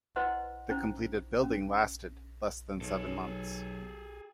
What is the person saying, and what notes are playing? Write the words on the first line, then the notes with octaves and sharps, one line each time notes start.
The completed building lasted less than seven months.
E4 B4 C5 D#5 F#5 C6
C#4 D#4 E4 C5
C#4
B1 G#4 A4